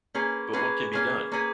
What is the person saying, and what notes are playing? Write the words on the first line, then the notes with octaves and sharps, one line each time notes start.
But what can be done?
A#3 C#4 G#4 B4
A#3 C#4 G#4 B4
A#3 C#4 G#4 B4
A#3 C#4 G#4 B4